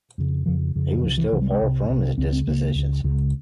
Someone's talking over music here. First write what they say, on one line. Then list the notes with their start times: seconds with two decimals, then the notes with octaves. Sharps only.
He was still far from his dispositions.
0.18 F2 C#3
0.46 F2 C#3 F3
0.75 F2 C#3
1.03 C2 C3 F3
1.18 E3
1.32 C2 C3 E3
1.42 G3
1.51 G#3
1.61 C2 C3
1.90 C2 C3
2.18 C#2 C#3 C4
2.33 C4
2.47 C#2 C#3 A#3
2.75 C#2 C#3
3.04 C#2 C#3